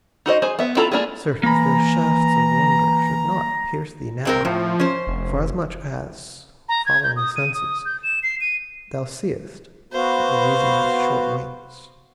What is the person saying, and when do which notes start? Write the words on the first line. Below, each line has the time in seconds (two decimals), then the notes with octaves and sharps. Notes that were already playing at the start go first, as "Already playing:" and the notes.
Certes, the shafts of wonder should not pierce thee Now, forasmuch as, following the senses, Thou seest that the reason has short wings.
0.26 D#4 F#4 C5 D#5
0.42 G#4 C5 G#5
0.59 B3 E5
0.77 E4 F4 A4 A#5
0.92 A#3 D4 F4 G#4
1.43 E3 A#3 A#5 B5
4.25 C3 C4 A#4
4.45 A2 F3
4.80 C#4 C5
5.07 F1
6.69 A#5
6.86 G#6
7.03 G6
7.16 D#6
7.36 D#7
7.54 D#6
7.85 G6
8.03 E7
8.23 C7
8.41 D#7
9.93 B3 F#4 C5 F5